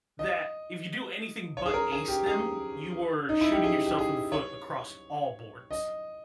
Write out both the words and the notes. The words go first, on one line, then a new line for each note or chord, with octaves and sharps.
that if you do anything but ace them, you were shooting yourself in the foot across all boards.
D#5
C#5
G#4
A#4
G#4
G4
G#4
D#4
E4
G4
G#4
G4
G#4
C#5
D#5